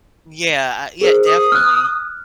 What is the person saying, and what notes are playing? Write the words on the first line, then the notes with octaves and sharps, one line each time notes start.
Yeah, uh, yeah, definitely.
G#4 A#4 C5
D#6
F6 F#6